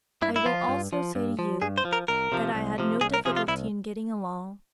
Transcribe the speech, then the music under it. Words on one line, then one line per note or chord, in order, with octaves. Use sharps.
I will also say to you, that I had no difficulty in getting along.
G2 E4
E4
F3 F4
G2
F3
G2
F3
G2 G#4
C5
F3
A#4
C2 A#4
C3 F3
C2
C3 F3
C2 G#4
A#4
C3 F3 G#4
F4
C2 E4